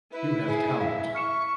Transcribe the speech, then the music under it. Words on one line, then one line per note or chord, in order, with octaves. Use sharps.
You have talent.
E4 B4
G#4
E5 F5
C#6 F6 C#7 E7